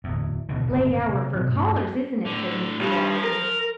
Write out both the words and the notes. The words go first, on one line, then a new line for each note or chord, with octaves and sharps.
"Late hour for callers, isn't it?" said Mr. Ralston.
D1 E2
C#2 B2 D3 E3
D1 G1 C#2
C3
B2 F3 F#3 A#3
D2 G2 A3
A2 D3
G2 F3 G3
A#4